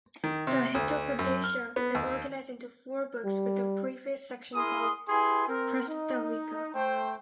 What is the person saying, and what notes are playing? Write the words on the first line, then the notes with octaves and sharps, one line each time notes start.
The "Hitopadesha" is organized into four books, with a preface section called "Prastavika".
D#3
C3
D2
F#2
F6
B3
D#2
G3
E4 G#4 A#4 C6 D#6
E4 G4 G#4 B4 G#5 C6
C4 A#4
D#4
A3 C5 G5